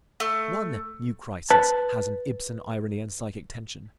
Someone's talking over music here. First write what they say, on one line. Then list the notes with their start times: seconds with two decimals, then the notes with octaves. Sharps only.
One new crisis has an Ibsen irony and psychic tension.
0.20 A3
1.50 B4 A5